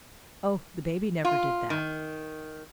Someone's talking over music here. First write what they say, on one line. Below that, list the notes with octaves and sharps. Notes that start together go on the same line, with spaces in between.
Oh, the baby never did that.
F4
D#3